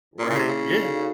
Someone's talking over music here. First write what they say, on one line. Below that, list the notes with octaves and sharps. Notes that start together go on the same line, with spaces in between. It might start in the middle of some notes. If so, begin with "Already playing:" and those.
Right, yeah,
A#2 A#3 C#4 E4
A#2
C#3
C3
C#3
D#4 F#4 A4 D5 F5